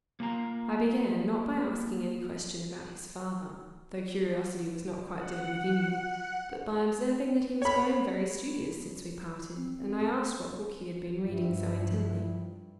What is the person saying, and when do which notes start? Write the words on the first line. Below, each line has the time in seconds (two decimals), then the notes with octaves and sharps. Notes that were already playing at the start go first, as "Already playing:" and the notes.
I began, not by asking any question about his father, though curiosity was not quite dead within me, but by observing that he was grown very studious since we parted; and I asked what book he had been reading so intently.
0.20 A#3 F4 A#5
5.13 F#5
7.62 C#5 B5
9.56 C4
11.24 G2 F3 E4